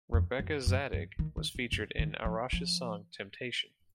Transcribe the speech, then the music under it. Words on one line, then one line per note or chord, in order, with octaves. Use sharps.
Rebecca Zadig was featured in Arash's song "Temptation".
F2
F#2
F#2
F#2
D#3
D#3
C#3
F#2
D#3
F3
F3